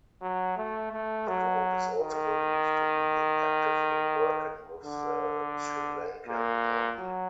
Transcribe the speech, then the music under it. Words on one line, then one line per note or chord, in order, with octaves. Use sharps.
The group is also believed to be actively working with the Sri Lankan Army.
F#3
A3
A3
F#3
D#3
D3
A#2
F#3